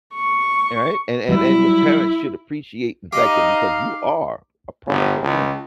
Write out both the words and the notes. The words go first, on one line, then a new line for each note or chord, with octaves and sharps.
Alright. And and and your parents should appreciate the fact that because you are a product of them
C#6
F#3 G3 E4
D#4 G4 D#5 F5
G1
C#2